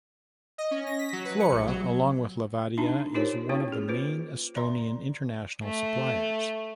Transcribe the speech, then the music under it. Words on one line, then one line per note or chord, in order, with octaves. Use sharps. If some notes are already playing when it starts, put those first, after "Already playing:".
Flora, along with Levadia, is one of the main Estonian international suppliers.
D#5
C#4
A#6
B6
F#3
B4
C#7
A#1
F#3
D4 D#4 E5 A5 A#5
D#4 F4 G4 A#4 C5 C#5
A#3 C#4 E4 F#4 C#5
G#4
F4 B4 C5
D5 E5 A#5 C6
A3